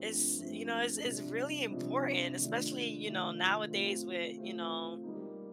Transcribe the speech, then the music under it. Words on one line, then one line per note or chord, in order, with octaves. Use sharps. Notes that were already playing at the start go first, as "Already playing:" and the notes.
it's, you know, it's it's really important, especially, you know, nowadays with, you know,
Already playing: G2 F3 A3 C4
G2 F3 A3 C4
F2 C3 G3 D4
F2 C3 G3 D4
D#3 A3 D4 F4
D#3 A3 D4 F4
A3 C4 F4 C5
A3 C4 F4 C5
G3 A#3 D#4